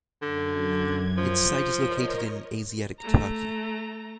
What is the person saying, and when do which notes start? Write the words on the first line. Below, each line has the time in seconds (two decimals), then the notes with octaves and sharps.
Its site is located in Asiatic Turkey.
0.22 F#2 D3 G#6
1.17 F3
1.77 A#4 C#5 D#5
3.00 A3 A#5